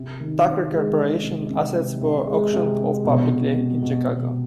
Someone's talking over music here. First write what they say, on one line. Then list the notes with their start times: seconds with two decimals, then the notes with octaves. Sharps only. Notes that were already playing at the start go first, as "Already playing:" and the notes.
Tucker Corporation assets were auctioned off publicly in Chicago.
Already playing: C3
0.20 D#3
0.46 C3
0.72 G#3
0.98 G#3
1.23 C3
1.50 C3
1.75 C3
2.02 C3
2.27 G#3
2.53 C3
2.79 C3
3.05 B2
3.31 B2
3.56 C4
3.82 B2
4.08 B2